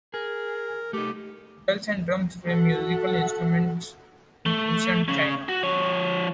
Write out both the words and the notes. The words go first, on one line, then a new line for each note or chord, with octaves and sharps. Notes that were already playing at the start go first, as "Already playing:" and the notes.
Bells and drums were musical instruments in ancient China.
G#4 A#4
A3 D#4 G4
F#4 A4 E5 F#5
A3
C#3 C#4
F#4
F3 C#5